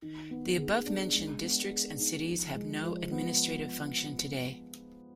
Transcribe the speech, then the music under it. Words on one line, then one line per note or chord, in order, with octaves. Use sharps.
The abovementioned districts and cities have no administrative function today.
D#3
B3
G#4
D4
G#3
B3
G#4
D#4
F3
G#3
F3
B3